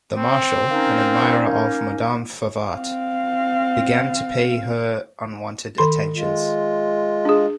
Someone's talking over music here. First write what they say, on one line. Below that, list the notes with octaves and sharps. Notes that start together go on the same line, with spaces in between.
The marshal, an admirer of Madame Favart, began to pay her unwanted attentions.
C4
A#3 C#4 D#4
C4 F5
D#3 C6
G#3 F4
D4 G#4